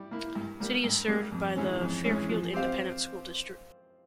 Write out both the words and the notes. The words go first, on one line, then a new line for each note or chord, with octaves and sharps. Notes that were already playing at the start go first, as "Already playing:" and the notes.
The city is served by the Fairfield Independent School District.
Already playing: G3 E4
A#3 E4
G2
G3 A#3
G2
G3 A#3
F2
E3 G#3 C#4
F2
E3 G#3 C#4
F3
C4 G4 C5 F5